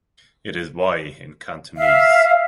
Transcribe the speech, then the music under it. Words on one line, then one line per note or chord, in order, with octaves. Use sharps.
It is Wai in Cantonese.
E5 F5